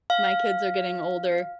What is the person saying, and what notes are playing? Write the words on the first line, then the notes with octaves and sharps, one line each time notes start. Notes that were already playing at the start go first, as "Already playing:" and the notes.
my kids are getting older,
F5